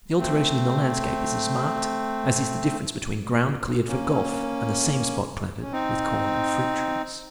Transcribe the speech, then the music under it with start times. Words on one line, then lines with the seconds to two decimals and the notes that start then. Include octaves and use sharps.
The alteration in the landscape is as marked as is the difference between ground cleared for golf and the same spot planted with corn and fruit-trees.
0.18 A3 C4
3.88 A#3 C#4
5.62 C#4
5.72 C4 D#4